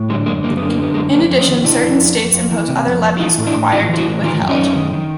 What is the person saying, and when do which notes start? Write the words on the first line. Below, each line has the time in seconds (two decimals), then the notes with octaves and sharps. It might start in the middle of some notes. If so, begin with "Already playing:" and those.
In addition, certain states impose other levies required to be withheld.
Already playing: A2
0.09 D3 F#3 G#3
0.26 F#2 G#3 A#3
0.44 F#2 A#3
0.57 D3 B3
0.69 A#3
0.78 D3 B3
0.94 F#2 G#3 A#3
1.13 F2 A#3 C4
1.30 F2
1.38 B3 C#4
1.48 D#3
1.65 C3 D4 E4
1.82 F2
2.00 F2
2.16 F2
2.33 F2
2.51 E3
2.68 C3
2.85 F2
3.03 F2
3.20 E3 D#4 F4
3.38 A2
3.47 D4 E4
3.55 A2
3.72 E3 D#4 F4
3.89 E3 F4
3.97 E4 F#4
4.07 A2
4.23 D#3 D#4 F4
4.41 F#2
4.49 C#4 D#4
4.58 F#2
4.75 D#3
4.93 D#3